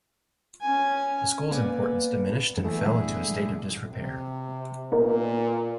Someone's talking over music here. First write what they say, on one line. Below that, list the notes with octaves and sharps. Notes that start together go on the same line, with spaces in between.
The school's importance diminished and fell into a state of disrepair.
C#4 G#5
A#3 B3 B4 D5 G#5
D3 E3 A3 B3 E4 G#4
C3
A#2 B3 D#4 A#4